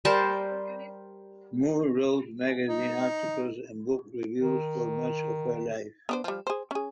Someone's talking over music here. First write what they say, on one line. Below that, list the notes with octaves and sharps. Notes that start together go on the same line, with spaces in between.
Moore wrote magazine articles and book reviews for much of her life.
G3 A#4 C5 A5
D#4
D#3
B3 D4 C5
F3 G3
G#4 C5
C#4 G#4